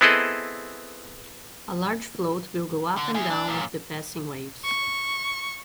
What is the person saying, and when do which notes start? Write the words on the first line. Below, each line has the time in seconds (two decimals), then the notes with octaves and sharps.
A large float will go up and down with the passing waves.
0.01 B3 C4 E4 G#4 A4 D#5
2.97 D3
3.14 E4 G#4
3.30 D4
3.48 F#2 A#2
4.64 C#6